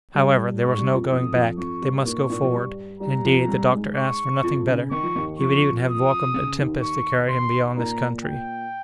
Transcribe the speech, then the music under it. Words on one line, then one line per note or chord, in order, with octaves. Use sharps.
However, there was no going back; they must go forward; and, indeed, the doctor asked for nothing better; he would even have welcomed a tempest to carry him beyond this country.
G2 G3
G#2 G#3 C#6
G2 G3
F2 F3
F2 F3 D#6
F2 F3
F2 F3 C#6
G2 G3
A#2 A#3 C#6
A#2 A#3
F3
G2 G3
G2 G3 A#5
F2 F3
G2 G3
G#2 G#3
C#6
F2 F3
C#3
D#3 C#6
F3
D#2 D#3
F2 F3 C#6
D#6
C#3
D#2 D#3
C#6
C6
A#2 A#3 A#5
G5